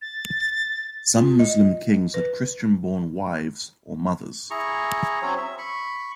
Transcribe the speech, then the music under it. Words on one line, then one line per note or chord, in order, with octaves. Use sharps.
Some Muslim kings had Christian-born wives or mothers.
A6
F4
D#5
B4
E4 G#4 A#5 C#6
F#3 C4 C#4 C#5
E5
B5 C#6